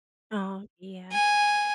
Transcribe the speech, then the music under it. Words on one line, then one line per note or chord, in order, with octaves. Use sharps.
Oh, yeah.
G#5